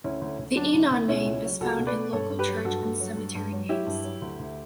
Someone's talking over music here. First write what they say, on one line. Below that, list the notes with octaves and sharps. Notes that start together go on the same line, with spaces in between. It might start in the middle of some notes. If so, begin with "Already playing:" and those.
The Enon name is found in local church and cemetery names.
D2 C#4 E4
D2
D2
F#3 D4
D2
D2
B2 C#4 E4
C#2
F#3
C#2 F#4 A4
B2
B4 D5
B2
G2 A4 C#5
G2
G4 B4
F#3
G2 F#4 A4
G2
F#3
G2
G2
F#3
F#3 E4 G4
G2
F#3
D2
D2